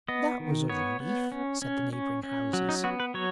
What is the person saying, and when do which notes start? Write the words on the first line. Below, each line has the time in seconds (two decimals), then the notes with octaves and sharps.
"That was a relief," said the neighboring houses.
0.08 B3 D#5
0.40 D#3
0.70 B3 C#5
1.00 B3
1.32 C#4
1.62 C#4
1.93 C#4
2.23 C#4
2.53 F#3
2.69 D#4
2.84 B3 F#4
3.00 B4
3.14 F#3 C#5